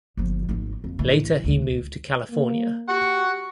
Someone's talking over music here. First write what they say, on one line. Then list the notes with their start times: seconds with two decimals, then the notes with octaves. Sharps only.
Later he moved to California.
0.17 G1 F3
0.49 G#1 D#4
0.84 F2
0.99 A2 E3
1.44 D2 G#3
2.31 A#3
2.89 G4 F#5 C#6